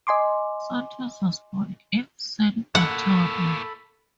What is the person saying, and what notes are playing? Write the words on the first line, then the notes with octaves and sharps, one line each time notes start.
Santos was born in San Antonio.
D#5 G#5 C6 D6
A2 A#3 A4 F#5 B5